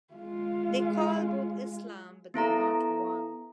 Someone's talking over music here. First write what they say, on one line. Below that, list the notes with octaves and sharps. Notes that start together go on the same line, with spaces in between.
They call both Islam, but they are not one.
G#3 F4
B3 E4 A4 A#5